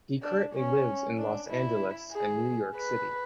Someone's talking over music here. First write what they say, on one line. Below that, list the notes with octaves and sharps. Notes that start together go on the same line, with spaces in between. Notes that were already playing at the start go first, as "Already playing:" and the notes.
He currently lives in Los Angeles and New York City.
D4
C#4
D4
E4
G#4
B4